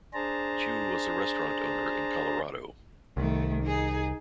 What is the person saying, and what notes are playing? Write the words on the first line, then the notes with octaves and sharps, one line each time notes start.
Chiu was a restaurant owner in Colorado.
D4 G#4 C5 A5 A#5
C2 D#3 A3
D#4 G#4